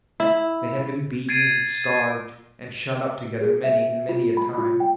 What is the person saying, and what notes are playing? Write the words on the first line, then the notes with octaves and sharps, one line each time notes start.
They had been beaten, and starved, and shut up together, many and many a time.
E4
G#6 A6 C7 D7 D#7
G#4
E5
F4
B5
F4
G5